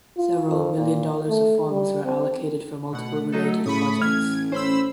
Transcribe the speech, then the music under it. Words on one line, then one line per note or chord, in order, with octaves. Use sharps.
Several million dollars of funds were allocated for multiple related projects.
F4
F2
A#2
A3
G3
C4
B2 A3 F#5
F#3 D#4 A4
A2 C#3 B5 C#6 D#6
A1 F6 G#6
C#4 C5 B5 E6